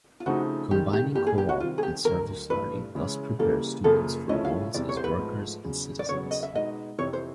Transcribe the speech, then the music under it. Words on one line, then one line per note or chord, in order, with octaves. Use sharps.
Combining co-op and service learning thus prepares students for roles as workers and citizens.
F4
C#3 F3 A3 C4 D#4 F#4
G#2 D#3 G3 G4
G4
G2 E3 G3 A#3 G4
G#4
G4
F#4
C3 D#3 G3 C4 F4
G#4
G4
D2 D3 F#3 A#4
G2 E3 A3 B4
C#3 E3 G#3 C#4 E4
C#3 E3 G3 A#3 A4
F#2 C#3 F3 A#3 A4
C#3 F3 A3 C#4 E4 D#5
F5
E2 C3 E3 G3 D5
C#5
C5
B4
G#2 F3 A3
E2 C#3 F#3
D5
E2 C#3 F#3 B3 C#5
D#5
E5
B2 G#3 B3 D#4 D#5
F2 C3 E3 C#5
C5